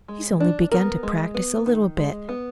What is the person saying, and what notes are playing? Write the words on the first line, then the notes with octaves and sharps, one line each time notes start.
He's only begun to practice a little bit.
G#3
D4
B3 A#4
G#3
B3
D#3
G#3
B3